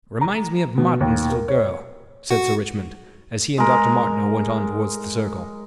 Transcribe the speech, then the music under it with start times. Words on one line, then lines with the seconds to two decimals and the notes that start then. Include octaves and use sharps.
"Reminds me of Martin's little girl," said Sir Richmond, as he and Dr. Martineau went on towards the circle.
0.21 A#5
0.78 B2
1.01 D#2
1.29 A#4
1.48 C#5
2.30 F#4
3.58 G#3 A#4